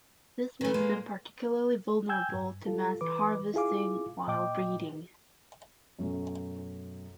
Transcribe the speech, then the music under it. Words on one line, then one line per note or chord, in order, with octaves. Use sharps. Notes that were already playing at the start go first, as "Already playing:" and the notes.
This makes them particularly vulnerable to mass harvesting while breeding.
D#3 A3 B4
A#2 G#3 A#3
G5 G#5 E6 G6 G#6
G2
G3 F4 A4
E3 B4 D6
E4 F4 G#4 F5 D6
A#2 D#5 G5 D6
F#2 B2 F#3 A3 C#4